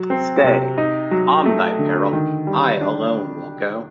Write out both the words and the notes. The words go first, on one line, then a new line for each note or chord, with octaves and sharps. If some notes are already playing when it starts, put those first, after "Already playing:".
Stay, on thy peril: I alone will go.
Already playing: F#3
C4
C3
D#4
F#3
A3
D3
D#3
G3
D4